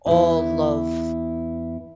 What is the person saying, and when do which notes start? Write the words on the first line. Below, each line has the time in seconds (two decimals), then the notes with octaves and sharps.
all love
0.06 E2 E4